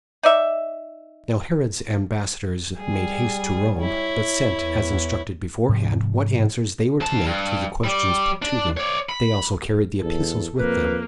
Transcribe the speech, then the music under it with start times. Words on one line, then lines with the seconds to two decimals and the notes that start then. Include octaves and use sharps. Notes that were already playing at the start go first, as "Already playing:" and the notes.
Now Herod's ambassadors made haste to Rome; but sent, as instructed beforehand, what answers they were to make to the questions put to them. They also carried the epistles with them.
0.23 D#4 D5 E5
2.77 G3 G#4
3.78 E4 C#5
4.56 E2
5.69 G#2 C3 F3 G3
7.01 F2 A5
7.25 G2
7.84 G3 D5
8.42 D4
8.77 C#5 D5
9.09 B5
10.00 E2 A4
10.59 F2 A#3 B4